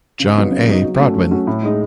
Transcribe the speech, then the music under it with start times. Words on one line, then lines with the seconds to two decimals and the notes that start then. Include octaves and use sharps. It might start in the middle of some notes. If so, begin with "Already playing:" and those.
John A. Broadwin.
0.20 C#3
0.35 F#3 B3 D#4
0.51 C#3
0.67 F#3 B3 D#4
0.83 F#3
0.99 A3 C#4 F#4
1.15 F#3
1.31 A3 C#4 F#4
1.47 A2
1.63 G#3 D#4